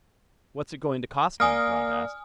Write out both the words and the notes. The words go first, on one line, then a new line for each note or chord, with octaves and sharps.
"What's it going to cost him?" Blount asked.
A#3 D5 G#5 D#6 F6